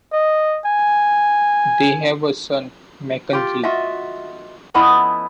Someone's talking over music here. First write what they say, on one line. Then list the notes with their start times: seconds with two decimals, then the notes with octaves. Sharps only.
They have a son, Mackenzie.
0.13 D#5
0.65 G#5
3.33 F4 G4
3.63 F4 F#4 D#5 E5
4.74 F3 A3 B3 C#4 E4 D#5